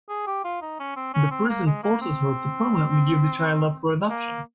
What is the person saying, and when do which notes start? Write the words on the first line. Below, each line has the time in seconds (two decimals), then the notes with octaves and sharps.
The prison forces her to permanently give the child up for adoption.
0.09 G#4
0.27 G4
0.44 F4
0.62 D#4
0.80 C#4
0.96 C4
1.14 C#4
1.31 C4
1.49 A#3
1.66 G#3
1.83 A#3
2.01 C4
4.10 A#3